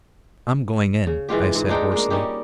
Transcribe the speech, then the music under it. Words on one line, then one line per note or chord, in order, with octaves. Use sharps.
"I'm going in," I said hoarsely.
C#3
E3 G#3 F4 G4
G#2
G#3 D4 D#4 G5
G#3 A#3
G3 C#4 D#4 G4